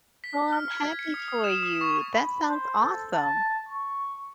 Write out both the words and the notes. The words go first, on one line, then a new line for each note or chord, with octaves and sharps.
Oh, I'm happy for you. That sounds awesome.
B6
F6
G#6
C#7
D#6
D#6
E7
D#6
C#6
B5
C5
A4
A5
C#6